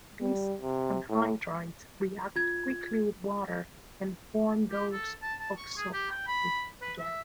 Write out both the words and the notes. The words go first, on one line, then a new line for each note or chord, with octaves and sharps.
These anhydrides react quickly with water and form those oxoacids again.
G3
C3
A2
F4 G#6
G4
A4
A5
A5
C#6
G#4
G4
G5
B5
B4
E5